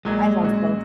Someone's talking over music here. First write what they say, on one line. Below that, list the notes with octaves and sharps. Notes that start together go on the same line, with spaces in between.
I love both.
A#1 A#2 F#3 G#3
A#2 F#3 C#4 F#4